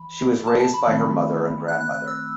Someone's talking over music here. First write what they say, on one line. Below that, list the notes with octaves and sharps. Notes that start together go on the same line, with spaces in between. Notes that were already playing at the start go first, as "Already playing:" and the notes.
She was raised by her mother and grandmother.
Already playing: E3 B5
A5
A5
B5
D#3 A3 C4
F#6
F#6
F#6
E6